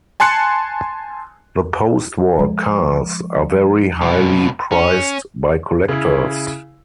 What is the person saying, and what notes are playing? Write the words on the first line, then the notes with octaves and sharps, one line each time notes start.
The post-war cars are very highly prized by collectors.
G#5 A5 C6 F#6 C#7
F3 G#3
C2 B2
C#4
C#3 E4